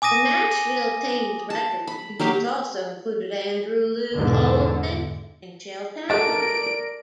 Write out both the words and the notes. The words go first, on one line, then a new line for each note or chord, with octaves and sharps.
The Nashville Teens' record producers also included Andrew Loog Oldham and Shel Talmy.
G#5 D6 D#6 A#6 D#7
A5
B5
F#3 A#3 G4 F5
E2 G#2 B2 D3
G#3 A3 A#4 D5 A5 D7